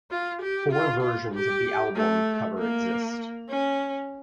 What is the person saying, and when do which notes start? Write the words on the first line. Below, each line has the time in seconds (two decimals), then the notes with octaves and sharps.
Four versions of the album cover exist.
0.11 F4
0.42 G4
0.72 F4
1.03 F4
1.34 G4
1.96 A3
2.58 A#3
3.50 C#4